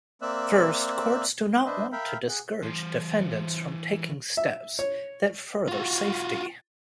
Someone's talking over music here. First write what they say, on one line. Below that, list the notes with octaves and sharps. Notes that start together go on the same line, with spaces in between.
First, courts do not want to discourage defendants from taking steps that further safety.
A#3 C4 D5 E5 E6 F#6
D4 B4 C5 D#5 E5
A#4 E5 F5 G5 B5
G#4 F#5
E3 C5
E5
C#5
F4 F#4